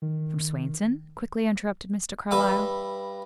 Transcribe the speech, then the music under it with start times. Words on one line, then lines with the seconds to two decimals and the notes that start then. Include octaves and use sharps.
"From Swainson?" quickly interrupted Mr. Carlyle.
0.02 D#3
2.31 G2 B4 E5